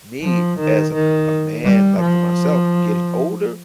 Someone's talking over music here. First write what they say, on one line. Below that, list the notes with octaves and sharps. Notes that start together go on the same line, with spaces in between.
me as a a man, like for myself, getting older,
F3
D#3
D#3
G3
F3